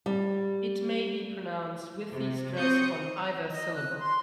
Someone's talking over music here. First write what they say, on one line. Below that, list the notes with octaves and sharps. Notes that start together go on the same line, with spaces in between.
It may be pronounced with the stress on either syllable.
G3
C3
C4 F#4 C#6 D#6 G6 C#7
D#5
F#6
C6